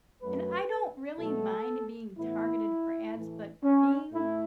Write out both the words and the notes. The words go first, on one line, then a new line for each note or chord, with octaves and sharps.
And I don't really mind being targeted for ads, but being
F#2 F#3 A3 B4
B2 F#3 A3 A4
A2 E3 B3 E4
A2 E3 A3
C#4
A2 A3 E4